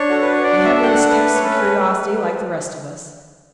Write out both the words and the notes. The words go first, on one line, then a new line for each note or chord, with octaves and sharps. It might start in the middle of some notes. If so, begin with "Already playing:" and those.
They have instincts of curiosity like the rest of us.
Already playing: D4 C#5
F#4 A4
B4
C#5
D4 D5
E5
A4
G5
F#5
A3 B4
C#5
C#4 B4
A3